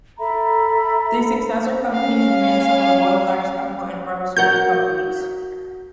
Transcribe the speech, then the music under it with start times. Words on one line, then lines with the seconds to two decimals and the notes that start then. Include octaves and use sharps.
The successor companies remain some of the world's largest chemical and pharmaceutical companies.
0.18 A4 E5 A#5 B5
1.93 C#4 F5
4.37 F#4 A#4 F#5 G6